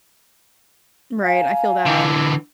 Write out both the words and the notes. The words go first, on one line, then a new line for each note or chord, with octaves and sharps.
Right, I feel that.
F5 G#5 A#5
D3 E3